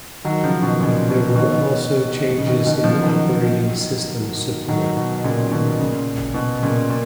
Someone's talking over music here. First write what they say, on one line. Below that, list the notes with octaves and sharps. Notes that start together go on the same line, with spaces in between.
There were also changes in operating system support.
D#3 F#3
C#3 F3
B2 D#3
A#2 C#3
B2
B2 D#3
C#3
B2 D#3
B2 D#3
C#3 F3
D#3 F#3
D#3 F#3
B2
A#2 C#3
B2 D#3
A#2 C#3
B2
A#2 C#3
A#2